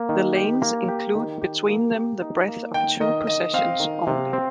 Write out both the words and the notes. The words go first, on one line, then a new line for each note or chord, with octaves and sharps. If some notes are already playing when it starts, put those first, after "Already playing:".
The lanes include between them the breadth of two possessions only.
Already playing: A#3
D#3
G4
A#3
G4
D#3
G4
A#3
G4
D#4
A#3
D#3 G5
D#3 D#5
D#3 D#5
C4 F5
D#3
C3
C4